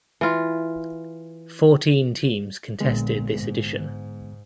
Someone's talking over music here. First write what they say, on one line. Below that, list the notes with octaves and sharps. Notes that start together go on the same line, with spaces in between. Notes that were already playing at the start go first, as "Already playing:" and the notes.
Fourteen teams contested this edition.
E3 F4
A#1 A#2 D3 G#3 B3
G#2